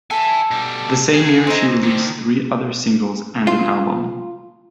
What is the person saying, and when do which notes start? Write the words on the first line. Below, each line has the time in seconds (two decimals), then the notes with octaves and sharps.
That same year she released three other singles and an album.
0.11 A4 E5 G#5
0.51 B2 G3
1.14 E3 G#4
1.47 C4 D#4
1.83 D3 D#3
3.47 F4